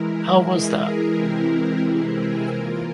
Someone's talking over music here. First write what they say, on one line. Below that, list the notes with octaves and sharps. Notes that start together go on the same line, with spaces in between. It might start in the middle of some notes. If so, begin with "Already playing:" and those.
How was that?
Already playing: E3 G#3 E4 A#4
A#4
G#4
A#4
C3 E3 G#3 C4 E4
A#4
G#4
E3 A#3 F4 A#4